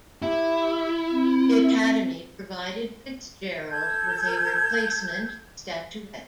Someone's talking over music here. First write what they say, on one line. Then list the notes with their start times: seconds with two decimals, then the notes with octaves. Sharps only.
The Academy provided Fitzgerald with a replacement statuette.
0.22 E4 G4
1.11 C4
3.70 A4 G6 G#6